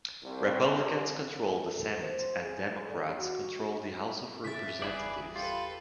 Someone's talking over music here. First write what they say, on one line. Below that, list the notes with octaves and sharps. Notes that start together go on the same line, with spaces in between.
Republicans controlled the Senate and Democrats controlled the House of Representatives.
C2
A4
C5
G#4
D3
F#4
C#3 E3 E5 D6 A6 B6
G1 E2 G#4 B4 D5
F4 G4 A4 B4